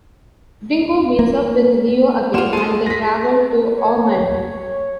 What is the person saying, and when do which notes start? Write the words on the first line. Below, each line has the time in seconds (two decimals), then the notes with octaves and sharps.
Dingo meets up with Leo again, and they travel to Aumaan.
1.19 A#3
2.34 A#3 F4 F#5 C6 E7
2.53 G#3 G#4 A4 C6 D#7
2.86 A#6 B6
3.77 C#5